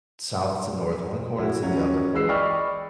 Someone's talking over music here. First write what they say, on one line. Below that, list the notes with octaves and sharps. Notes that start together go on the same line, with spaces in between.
south to north, one corner to the other
F#3 E4
F3 F#3 C#4
E3 G#3 B4 E6 C7
D5 D#5 G5 B5 C#6 F6